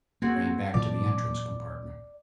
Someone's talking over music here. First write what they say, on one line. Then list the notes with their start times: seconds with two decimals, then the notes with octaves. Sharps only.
I ran back to the entrance compartment.
0.22 A#3 C4 F#4 G#4
0.74 A#2 E3 F#3 D5 A5